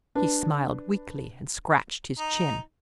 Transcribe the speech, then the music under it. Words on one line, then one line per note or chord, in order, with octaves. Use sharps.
He smiled weakly and scratched his chin.
D4 B4
D#4